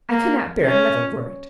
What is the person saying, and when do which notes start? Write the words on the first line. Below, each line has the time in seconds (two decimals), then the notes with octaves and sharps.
I could not bear another word.
0.10 A#3
0.64 C#4